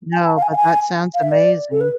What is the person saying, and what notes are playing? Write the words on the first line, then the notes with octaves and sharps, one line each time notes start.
No, but that sounds amazing.
G#5
A5
F5
G#5
F5
G#5
F5
E5
D5
A4
B4